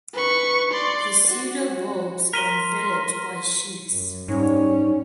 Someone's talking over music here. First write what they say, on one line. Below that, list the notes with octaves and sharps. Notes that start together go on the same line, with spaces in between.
The pseudobulbs are enveloped by sheaths.
B4 C#6
D5 C6
F#4
A#4 C6 B6 D#7 G7
F#2
G#2 G3 C#4 D#4